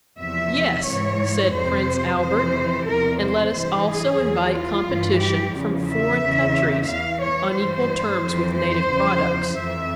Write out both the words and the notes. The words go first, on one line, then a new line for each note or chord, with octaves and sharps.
Yes, said Prince Albert, and let us also invite competition from foreign countries on equal terms with native products.
E2 C3 F3 E5
G#2 E3 C#5
F2 C3 F3 C5
F2 C3 E3 C5
E2 C3 F3 A#4
C5
G2 E3
G#4
E2 E3
F4
G2 E3
G4
E2 C#3 F3
E5
E2 C#3 E3
E2 E3 F5
C#5
G2 E3 C5
F2 E3
C5
E2 C#3 F3
F2 E3 E5